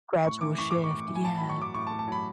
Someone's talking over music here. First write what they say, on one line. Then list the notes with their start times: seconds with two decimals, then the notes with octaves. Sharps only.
Gradual shift, yeah.
0.25 A2 C#6
0.41 E3 D6
0.58 E3 C#6
0.71 A2 D6
0.84 C#6
0.91 A2
1.08 E3
1.15 G#5
1.24 A2 A5
1.37 F#3 B5
1.50 C#6
1.58 F#3 D6
1.74 A2 C#6
1.87 A5
1.90 A2
1.99 A5
2.08 F#3 B5